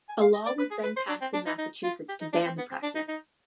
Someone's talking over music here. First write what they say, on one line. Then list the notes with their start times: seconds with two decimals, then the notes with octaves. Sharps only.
A law was then passed in Massachusetts to ban the practice.
0.09 G#5
0.21 F5
0.34 D#5
0.46 D5
0.59 B4
0.71 G#4
0.84 B4
0.97 C5
1.09 D4
1.21 C4
1.34 D4
1.46 D#4
1.58 D#4
1.83 F4
2.09 G4
2.21 D#4
2.33 D4
2.46 C4
2.58 B3
2.71 C4
2.83 D4
2.95 D#4
3.08 D#4